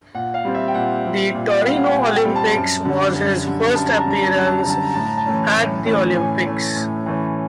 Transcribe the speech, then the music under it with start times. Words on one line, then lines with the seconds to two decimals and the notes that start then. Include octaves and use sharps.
The Torino Olympics was his first appearance at the Olympics.
0.15 A#2 F#5
0.34 F5
0.45 G3 C4
0.54 E5
0.68 G5
0.74 A#2 F#5
1.05 G3 C4
1.34 A#2
1.65 G3 C4 F5
1.76 F#5
1.86 G5
1.95 A#2 G#5
2.15 G5
2.25 G3 C4
2.36 A5
2.54 F#2
2.85 D3 G3
3.15 F#2
3.45 D3 G3
3.75 F#2 A5
3.87 A#5
3.99 A5
4.06 D3 G3 A#5
4.23 A5
4.34 F#2 A#5
4.47 A5
4.58 A#5
4.65 D3 G3 A5
4.83 A#5
4.94 A2 A5
5.06 A#5
5.18 A5
5.26 E3 A3 C#4
5.56 A2
5.86 E3 A3 C#4
6.16 A2 G#5
6.46 E3 A3 C#4
6.76 A2
7.06 E3 A3 C#4